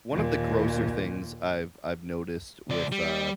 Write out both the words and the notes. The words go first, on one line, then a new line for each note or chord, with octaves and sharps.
One of the grosser things I've I've noticed with, uh,
D#2 A#2
C#2 D5
G3